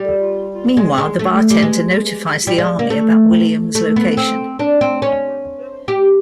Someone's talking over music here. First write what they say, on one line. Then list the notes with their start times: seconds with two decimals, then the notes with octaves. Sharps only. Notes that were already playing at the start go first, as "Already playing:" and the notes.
Meanwhile, the bartender notifies the army about Williams' location.
Already playing: G3
0.77 G#3
0.98 G#3
1.19 A3
1.50 G3
1.62 G#3
2.47 G3
2.58 G#3
2.79 A#3
2.90 A3
3.75 A3
3.96 B3
4.17 C4
4.59 D4
4.81 C4
5.02 C#4
5.88 G4